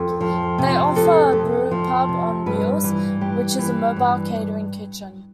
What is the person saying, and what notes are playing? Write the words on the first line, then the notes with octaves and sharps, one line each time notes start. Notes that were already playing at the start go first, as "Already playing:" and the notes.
They offer a brewpub on wheels, which is a mobile catering kitchen.
Already playing: F2 A4
F3
C3
F2 A4
F2
F3
C3
G2 B4
E3
G2 G4
E3
G2